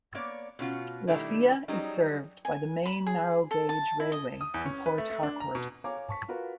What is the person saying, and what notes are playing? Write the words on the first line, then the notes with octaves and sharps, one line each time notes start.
Lafia is served by the main narrow gauge railway from Port Harcourt.
A#3 B3 C#5 D5
B2 C#4 F4 F#4
B2 D#3 G3 A3 D4 E4
F#3 G3 C#4 D#4 G#4
G#5
B5
G#4
A4
A5
E4
D#5
D#6
E2
C#4
B4
A3
A3
D4
A#5
B2
C#5 F5 G#5 A#5 D6
A5 C#6 B6
F4 F#4 A#4 B4